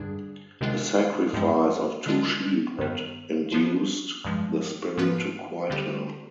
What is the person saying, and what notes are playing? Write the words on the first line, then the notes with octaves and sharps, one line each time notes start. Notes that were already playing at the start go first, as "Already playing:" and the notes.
A sacrifice of two sheep had induced the spirit to quit her.
Already playing: G2 D3 G3 D4 G#4
C3 D#3 G#3 D4 F4
G2 F3 G#3 C4
D3 G#3 D4 F4
G2 D#3 B3
F3 B3 D4 F4
G2 F3 G#3
G#2 F3 B3 F4 B4
D3 G3 C4 G4